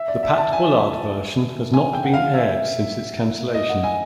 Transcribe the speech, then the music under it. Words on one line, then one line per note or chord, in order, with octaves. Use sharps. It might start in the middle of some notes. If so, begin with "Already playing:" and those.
The Pat Bullard version has not been aired since its cancellation.
Already playing: E5
D5
E5
A5
G#5
G#5
G5
F#5
F5
E5
D#5
F#5
G#5